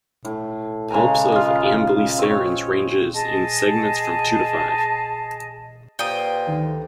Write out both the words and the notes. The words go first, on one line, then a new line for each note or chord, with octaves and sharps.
Palps of amblycerans ranges in segments from two to five.
A2
C#3 G#3 G#5 A#5
F4 D#5
C4 C#5
G#4 D#5 A5
A#2 G4 B4 C5 G5 D#6
D2 D#3